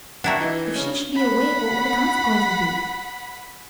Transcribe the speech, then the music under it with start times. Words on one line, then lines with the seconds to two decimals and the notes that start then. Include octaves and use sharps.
"If she should be awake, what will the consequences be?"
0.24 D4 E4 F#4 F#5 G5 A#5
0.41 E3 D#4
0.76 C#3 C#4
1.15 F#5 B5